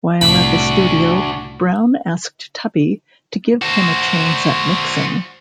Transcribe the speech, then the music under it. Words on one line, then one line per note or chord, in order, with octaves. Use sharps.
While at the studio, Brown asked Tubby to give him a chance at mixing.
C2 A2 D4 F#4 B5
F#4 C5